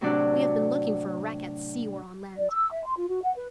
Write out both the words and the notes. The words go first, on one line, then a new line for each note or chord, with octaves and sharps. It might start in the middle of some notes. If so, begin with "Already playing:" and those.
"We have been looking for a wreck at sea or on land!"
A2 C3 F#3 D4 D5 F#6
D5
E6
E5
C6
F4
F#4
F#5
B4